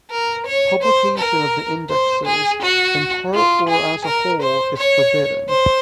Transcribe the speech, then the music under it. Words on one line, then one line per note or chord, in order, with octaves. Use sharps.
Publication of the indexes, in part or as a whole, is forbidden.
A#4
C#5
C5
A#4
C5
G#4
F#4
F4
G#4
A#4
C5
C#5
C5